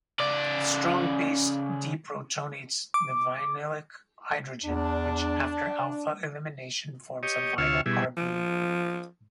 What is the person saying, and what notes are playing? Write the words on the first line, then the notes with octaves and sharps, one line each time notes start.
The strong base deprotonates the vinylic hydrogen, which after alpha-elimination forms a vinyl carbene.
C#3 D5
D6
E2 D4
G4 C#5 D#5
D2 F4 C#5 F5 E6
B2 G3 E4 G#4
F3